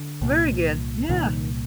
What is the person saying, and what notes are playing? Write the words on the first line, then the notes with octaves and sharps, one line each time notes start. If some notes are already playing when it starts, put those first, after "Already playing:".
Very good yeah.
Already playing: D3
C2 A#2
C2 A#2 D#3